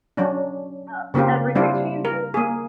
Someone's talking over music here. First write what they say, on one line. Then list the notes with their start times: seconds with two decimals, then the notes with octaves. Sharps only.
Um, everything changes.
0.17 F#3 C#4 D4
1.14 C#3 A#3 C4 F4 G4
1.55 G3 C4 D4 E4 F4
2.05 A#4
2.34 A#3 G#4